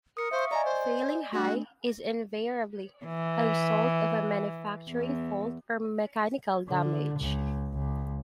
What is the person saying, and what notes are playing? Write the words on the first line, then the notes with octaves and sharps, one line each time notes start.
Failing high is invariably a result of a manufacturing fault or mechanical damage.
A#4 D#6 C#7
C5 E5 F5 C#6
D5 D#5 G#5 A#5
C5
A3 D4 F#4
E3
E2
D3
C#2
C#2